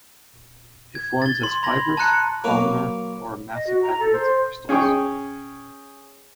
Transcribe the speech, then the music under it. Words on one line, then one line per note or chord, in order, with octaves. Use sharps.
It forms as fibrous, columnar or massive aggregates of crystals.
G#6
A6 G7
C6
B5 G#6 A#6 F#7
A5 A#5 F#6 C#7
F#3 A#3 F#4 A#4 B4
D#5
F#4
A#5
A4
C5
C#4 G#4 G5 C#6